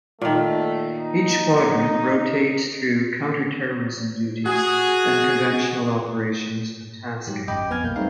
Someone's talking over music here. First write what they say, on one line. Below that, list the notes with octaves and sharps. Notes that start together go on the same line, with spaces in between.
Each Squadron rotates through counter terrorism duties and conventional operations and tasking.
A#2 D#3 A3
D#4
F#4 G#4
G#2 F#3 G4
G#1 F#2 D#5 G5 B5 D6
F2 B3 B4 G#5 F6 G#6
B1 A#3 G6
G3 A3 C4 D#4 F5